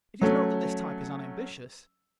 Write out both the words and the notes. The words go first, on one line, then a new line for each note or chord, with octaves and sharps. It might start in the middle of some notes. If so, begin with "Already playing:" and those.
It is not that this type is unambitious.
F#3 A3 C#4